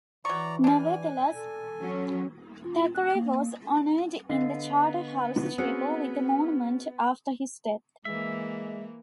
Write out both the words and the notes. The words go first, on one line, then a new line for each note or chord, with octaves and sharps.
Nevertheless, Thackeray was honoured in the Charterhouse Chapel with a monument after his death.
E3 F#3 D5 A#5 C#6
G3 D4 G#5
A4
F#3 C#4
F4
F#6
A#3
D3 B3 D#5 F5 C7
C4 C#4 F#4 G#4 D#6 F#6 C#7
E3 G#3 A#3 E5